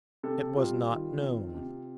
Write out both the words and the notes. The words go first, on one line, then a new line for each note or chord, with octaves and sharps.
It was not known.
C3 A4
G3 F4
D#3
C4
C3